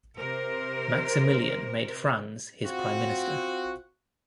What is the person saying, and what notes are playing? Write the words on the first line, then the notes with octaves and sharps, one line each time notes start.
Maximilian made Franz his prime minister.
C3 A#4 C5
C4 F4 F#4